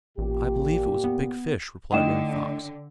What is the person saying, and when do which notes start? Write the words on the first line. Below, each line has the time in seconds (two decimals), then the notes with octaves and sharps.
"I believe it was a big fish," replied Running Fox.
0.18 A1 A#2 G4
1.04 B3
1.92 D3 A3 D#4 E4 D#5 F#5 G5 E7